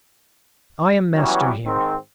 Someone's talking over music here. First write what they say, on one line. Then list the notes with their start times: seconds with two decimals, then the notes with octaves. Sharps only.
I am master here.
1.16 E3 F#3 G3 B3 C#4
1.66 G#2 D#3 C4